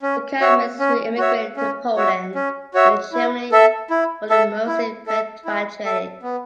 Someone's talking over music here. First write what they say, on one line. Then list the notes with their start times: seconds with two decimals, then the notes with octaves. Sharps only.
The Kalmyks who emigrated to Poland and Germany were mostly repatriated.
0.02 C#4
0.41 F#4 C#5 E5
0.79 C#4
1.18 F#4 C#5 E5
1.57 C#4
1.97 F#4 C#5 E5
2.35 C#4
2.74 F#4 C#5 E5
3.13 E4
3.52 A4 E5
3.90 E4
4.30 A4 E5
4.67 E4
5.07 A4 E5
5.45 E4
5.84 A4 E5
6.23 B3